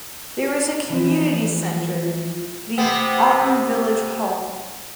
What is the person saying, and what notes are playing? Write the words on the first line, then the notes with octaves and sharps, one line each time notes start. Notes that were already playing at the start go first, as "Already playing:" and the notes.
There is a community centre, the Aughton Village Hall.
E3 F3
C3 B3 C4